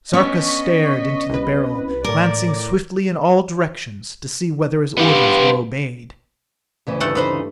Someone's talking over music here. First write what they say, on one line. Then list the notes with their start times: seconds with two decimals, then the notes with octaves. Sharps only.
Sarka stared into the Beryl, glancing swiftly in all directions, to see whether his orders were obeyed.
0.13 B3 C#4 D4 D#5 C#6 B6
1.30 C2 B4
2.04 A2 A#4 D5 D6
4.97 G2 B3 F4 G4 B4
6.87 D2 C#3 E3
7.00 G2 A3 F#5
7.15 D#4 B4 C5